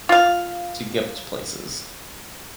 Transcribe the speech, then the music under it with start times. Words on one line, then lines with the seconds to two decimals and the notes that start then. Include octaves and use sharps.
to get to places.
0.09 F4 F5